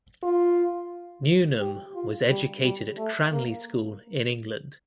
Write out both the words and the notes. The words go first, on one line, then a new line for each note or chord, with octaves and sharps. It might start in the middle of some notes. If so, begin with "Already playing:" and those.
Newnham was educated at Cranleigh School in England.
F4
G4
F4
G3
G3
A3
A#3